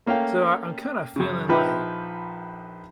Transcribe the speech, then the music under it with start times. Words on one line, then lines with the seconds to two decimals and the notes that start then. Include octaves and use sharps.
So, I I'm kinda feeling like,
0.06 A3 A#3 C#4 F5 G5
1.16 F#2 C#3
1.49 A#1 F3 D#4 B4 E5 G5